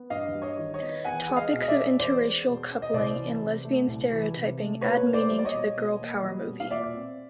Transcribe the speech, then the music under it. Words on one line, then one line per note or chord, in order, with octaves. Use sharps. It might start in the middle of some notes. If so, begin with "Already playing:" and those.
Topics of interracial coupling and lesbian stereotyping add meaning to the girl power movie.
Already playing: B3
G2 D#5 F5
G3
C#5 D#5
D#3
C#5 D#5
B3
E2 F#5 G#5
G#3
D#5 F5
B2
D#5
D5 E5
C#4
E2 C5 D5
G#3
B2
C#4
D#5
C2 C5 D5
E3
C3
A3
C2
E3
C3
A3
B2 B4 C#5
A#3
C5 D5
G3
D5
C#5 D#5
B2
B2
A#3
G3
B2
F5
A#2 D5 E5
C4